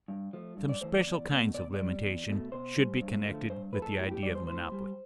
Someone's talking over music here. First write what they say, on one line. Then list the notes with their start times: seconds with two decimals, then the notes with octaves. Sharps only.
Some special kinds of limitation should be connected with the idea of monopoly.
0.08 G2
0.33 F3 A3
0.57 G2
0.69 D5
0.81 E3 A3 C5
0.94 D5
1.06 E2
1.30 B2 A3
1.54 B2 D5
1.74 G3 D5
2.03 E2
2.28 B2 A3
2.52 B2 C5
2.76 G3
3.01 G2
3.25 D3 F3 A3
3.50 G2 C5
3.73 F3 B4
3.79 A3 A4
3.98 A2 G4
4.11 G4
4.23 G3 D5
4.35 C5
4.47 A2 C5
4.72 G3